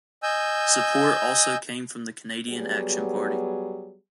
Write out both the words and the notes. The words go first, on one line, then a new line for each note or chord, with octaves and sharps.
Support also came from the Canadian Action Party.
D#5 G#5 E6 G6
F#3 G3 B3 G#4